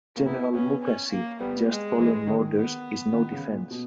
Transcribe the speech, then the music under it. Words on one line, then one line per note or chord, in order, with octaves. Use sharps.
General Mukasey, just following orders is no defense!
A#3
B3 E4
B3 C#4
C#4
A#3
G3 B3
G#3
E3
D#3
B3
D#3
C#3
A#2
B2